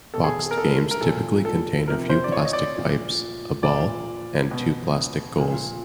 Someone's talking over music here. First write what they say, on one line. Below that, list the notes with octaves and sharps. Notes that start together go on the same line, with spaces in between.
Boxed games typically contain a few plastic pipes, a ball, and two plastic goals.
B2 A4
G#4
G#4
A#4
A4
A#4
A#2 F3 A4
A4
C3 F3 A#4
C5
D5
C#5
D#5
D5
A#2 F3
A#2 F3 D5
B2
A#2 F3